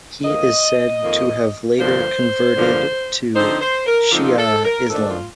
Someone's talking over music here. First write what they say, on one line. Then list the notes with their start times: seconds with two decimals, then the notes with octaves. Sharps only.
He is said to have later converted to Shia Islam.
0.23 F2 D#3 A#3 D#5
1.02 F2 D#3 A#3
1.78 G2 D3 F3 A#3 C5
2.56 G2 D3 F3 A#3
3.34 D3 F3 C4 D#4 C5
3.61 C5
3.86 A#4
4.12 D3 F3 C4 D#4 F4
4.38 A4
4.65 A#4
4.89 F2 D#3 A3 D4 A4
5.09 F4